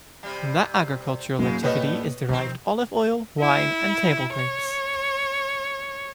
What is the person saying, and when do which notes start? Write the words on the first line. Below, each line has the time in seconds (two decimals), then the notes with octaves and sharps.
From that agricultural activity is derived olive oil, wine and table grapes.
0.23 C3 G3
1.39 F#2 A2 C#3 G#3 A#3
1.63 G3 A3 B3 B4 C#5 D#5
2.29 C3 D#3 F3 C4
3.41 E4
4.33 C#5